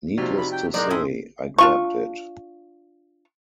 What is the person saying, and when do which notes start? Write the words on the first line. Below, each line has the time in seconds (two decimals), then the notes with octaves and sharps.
Needless to say, I grabbed it.
0.18 C3 F3 D#4 F#4 D5
0.38 B5
0.52 G5
0.74 B1 A2 G#3 A#3 D#4 D5 C6
0.90 A2 C#4 E4 G#5 C6 D#6
1.58 D4 F4 C#6